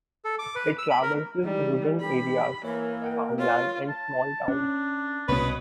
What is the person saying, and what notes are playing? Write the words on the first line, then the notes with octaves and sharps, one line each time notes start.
It traverses wooded areas, farmland and small towns.
A4
D6
B4
E6
B5
A#4
E3 G3 G#3 D#4
G4 B5
E3 A#3 A#4 C#5
D#5 F#5 G5
F4 C#5
A5
C#4 D4
C2 B2 B3 B4 C#5